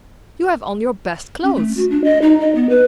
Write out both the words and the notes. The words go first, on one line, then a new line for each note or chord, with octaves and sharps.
You have on your best clothes!
C#4
A3
F#4
D4
D#5
D#4
D#5
B3
B4